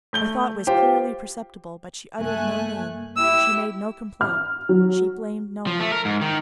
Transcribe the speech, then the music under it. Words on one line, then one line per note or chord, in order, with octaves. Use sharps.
Her thought was clearly perceptible, but she uttered no name, she made no complaint, she blamed no one.
A3 G6 G7
F4 G4 C5 G5
C#2 G2 A3 A#3 G#5 F#6
E4 G4 E6
F6
F#3
F3
A3
A#4
G#2
D#3